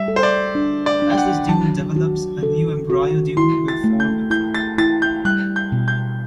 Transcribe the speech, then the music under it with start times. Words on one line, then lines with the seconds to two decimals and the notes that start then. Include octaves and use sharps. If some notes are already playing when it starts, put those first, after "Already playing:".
As this dune develops, a new Embryo dune will form in front.
Already playing: G3 E5
0.08 A4
0.16 C5
0.23 D5
0.55 D4
0.86 D5
1.02 D4
1.10 G5
1.17 F#5
1.49 F#3 A5
1.96 F#4
2.43 A4
2.90 F#4
3.37 E4 C6
3.68 A6
3.84 A3
4.00 G6
4.30 E4 G6
4.54 A6
4.78 E4 A6
5.02 G6
5.25 G3 F#6
5.56 G6
5.72 B2
5.88 G6